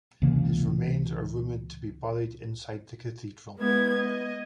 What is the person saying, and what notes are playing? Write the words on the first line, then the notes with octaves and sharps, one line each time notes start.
His remains are rumoured to be buried inside the cathedral.
C#2 C3 E3 A#3
G#3 B3 E4 G#6
D#5